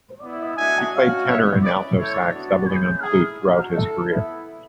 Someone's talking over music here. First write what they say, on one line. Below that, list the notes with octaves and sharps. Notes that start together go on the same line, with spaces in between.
He played tenor and alto sax, doubling on flute throughout his career.
B3 E4
A3 D4 F#4 E5 G#5
G#3 C#4 F#4
B3 E4 C#5 E5
G#3 C#4 E4 B4 D5
A3 E4 A4 C#5
B3 D4 F#4
G#3 C#4 E4 G#4 B4
A3 E4 G#4
G#3 D4 F#4
A3 E4 A4
B3 E4